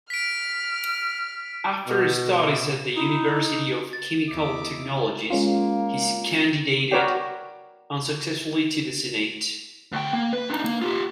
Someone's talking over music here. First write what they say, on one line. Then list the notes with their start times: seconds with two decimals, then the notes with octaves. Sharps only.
After studies at University of Chemical Technologies he candidated unsuccessfully to the Senate.
0.10 F6 B6 D7
1.88 B2
2.96 D#4 E4
3.93 A6
4.30 E2 D#4 E4 D6
5.30 G#3 A#3 C#4 F4
6.91 F#4 A#4 B4 C#5 D5 G5
9.92 D2 G5
10.13 A#3
10.33 B4
10.50 D4 D#4
10.64 A#3
10.82 F4 G4